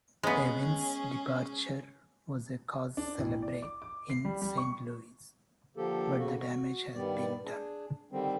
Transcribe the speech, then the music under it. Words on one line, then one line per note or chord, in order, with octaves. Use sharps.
Devine's departure was a cause-celebre in Saint Louis, but the damage had been done.
G#3 B3 C#4 G#4
D4
A1
D5
D6
D6
C7
G3
G3
C#6
D3 F3 A#3 G4 A4
C#3 F#4
F#4
G2 D#3 G3 B3 D5
D4 G#4
D3 D#3 G3 C4